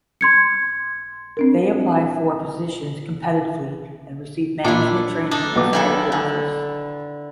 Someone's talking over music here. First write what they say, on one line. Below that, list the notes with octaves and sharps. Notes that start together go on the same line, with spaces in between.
They apply for positions competitively and receive management training inside the office.
C6 G#6 C#7
C4 D4 A#4
A#2 D4 E4
D4 D#4 A4
B1 B3 D6
D#3 E4 A4
D3